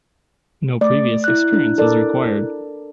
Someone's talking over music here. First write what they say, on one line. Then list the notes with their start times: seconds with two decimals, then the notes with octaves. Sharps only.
No previous experience is required.
0.81 A3 D5
1.24 E4 F#6
1.53 D4
1.78 A4 A#4 D5